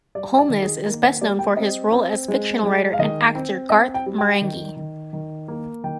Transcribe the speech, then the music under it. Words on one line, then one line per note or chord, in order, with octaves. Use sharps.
Holness is best known for his role as fictional writer and actor Garth Marenghi.
G3 D5
D5
D#3
G#4
A#3 A#4
C5
G3 D5
G5
C4 D#5
C4
G#3
G#3
F5
D#3 D#5
C4
C4 D#5
G5
G3
G5
D#3
D#3
D#3
A#3
D#3 G5